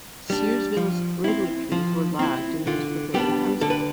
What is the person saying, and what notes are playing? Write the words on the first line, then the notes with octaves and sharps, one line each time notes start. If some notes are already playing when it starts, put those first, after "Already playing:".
Searsville's redwood trees were logged and used for building housing.
G3 D4
F3
C4 E4
F3
C4 E4
D3 F4
G3 B3 D4 G4
D3 A4
B4